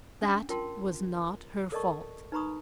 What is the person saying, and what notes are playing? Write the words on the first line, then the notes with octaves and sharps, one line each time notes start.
"That was not her fault."
C#4 D4 F#5
F4 A#4 G5 A5 C6
A4 A#4 D5 D#5 A5 C#6
D#4 B4 A#5 B5 C#6 D#6